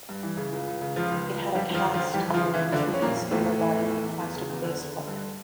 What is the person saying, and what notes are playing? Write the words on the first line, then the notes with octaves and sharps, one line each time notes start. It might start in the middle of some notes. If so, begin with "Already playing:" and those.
It had a cast-iron two-piece oval body with a plastic base plug.
G2
E3
C#3
C#2
C#2
C#3
C#2 F3 F4
C#2
C#2
C#2
F2 G3 G4
F2 F3 F4
D3
F3 F4
F2
E3 G3 G4
C#3
F3 F4
E3
E3 E4
C#2
F2 D3 D4
F2
C#4
F2 A#2 A#3
F2
E2 A2 A3
E3
E3
E2
E3
E2
E2
C#3
E2
D3
D3
D3
G2